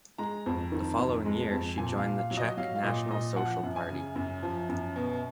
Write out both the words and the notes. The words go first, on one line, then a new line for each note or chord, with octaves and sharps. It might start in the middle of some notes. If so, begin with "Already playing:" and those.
The following year she joined the Czech National Social Party.
G#3 A#5
F2
D#3
F2
G#3
F2
A#2 G#5
F5
A#2
F5
F#3
D#5
F#3 F5
F5
A#2 D#5
A#2 D#5
F3 F#5
F#2
G#5
C#3
F#2
F3
F#2
B2